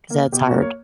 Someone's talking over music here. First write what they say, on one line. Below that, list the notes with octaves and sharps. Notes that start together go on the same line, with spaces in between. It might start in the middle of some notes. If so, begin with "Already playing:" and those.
‘cause that's hard.
A#3
B2 G4
F#4
A#3
C#5